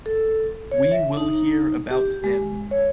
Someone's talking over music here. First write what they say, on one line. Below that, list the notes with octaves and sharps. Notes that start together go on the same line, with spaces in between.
We will hear about them.
A4
C#5
E5
D#4
G4
G#3
C#5